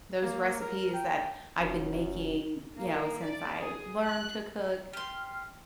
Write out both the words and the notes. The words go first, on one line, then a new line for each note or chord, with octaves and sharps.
those recipes that I've been making, you know, since I learned to cook.
A#3
A#4
G5
F1 F#2
A#3
D5
G#4
F#6
G4 C6 F6